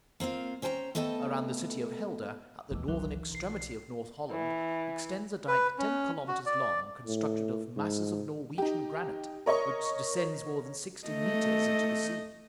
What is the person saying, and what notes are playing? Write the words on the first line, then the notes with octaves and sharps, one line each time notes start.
Around the city of Helder, at the northern extremity of North Holland, extends a dike ten kilometres long, constructed of masses of Norwegian granite, which descends more than sixty metres into the sea.
A#3 C4 F4 F5
C#4 C5 G5 A5 A#5
A3 B3 A4 D#5 G5 A5
G#1 D#2 E3 B3
G1 C#2 D#3 E3 F#3
B1 C7
E3
B4
C#4
F#4
D5
A2
G#2
D#4 G4
A#4 C#5 D#5 C#6
A3 D#5